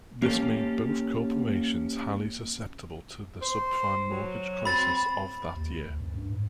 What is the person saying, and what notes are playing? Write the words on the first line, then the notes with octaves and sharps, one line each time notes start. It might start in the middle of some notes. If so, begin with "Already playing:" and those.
This made both corporations highly susceptible to the subprime mortgage crisis of that year.
A#3 C#4 G4 A4
C5
F#3
C4 B5 A6
D#2
D2
F#2
G2
G#2